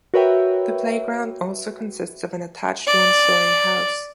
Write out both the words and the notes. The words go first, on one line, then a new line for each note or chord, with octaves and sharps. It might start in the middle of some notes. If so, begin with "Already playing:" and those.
The playground also consists of an attached one-story house.
F#4 A#4 B4 C#5 E5 G5
D5